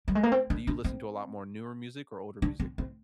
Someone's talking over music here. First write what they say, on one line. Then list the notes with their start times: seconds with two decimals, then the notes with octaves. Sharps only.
Do you listen to a lot more newer music or older music?
0.08 G3
0.15 G#3
0.23 A#3
0.32 C4
0.50 D4
0.67 D4
0.84 C4
2.42 D4
2.60 C4
2.78 C4